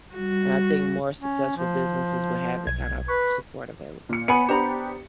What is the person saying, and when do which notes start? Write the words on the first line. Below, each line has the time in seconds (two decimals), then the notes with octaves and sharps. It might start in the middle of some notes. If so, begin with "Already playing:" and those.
and I think more successful businesses would have that kind of support available.
0.14 G3 F#4
1.20 C#4
1.56 F3
2.66 B1 G#6
3.08 B4 C#6
4.09 A#2 C#7
4.28 B3 C#5 G#5 B5 C#7
4.49 B3 D4 G4 C5 A#5 B5